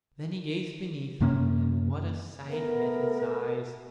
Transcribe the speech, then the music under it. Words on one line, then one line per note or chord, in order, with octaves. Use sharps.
Then he gazed beneath him, and what a sight met his eyes!
F#2 C3 A#3 C#4
A3 B3 A#4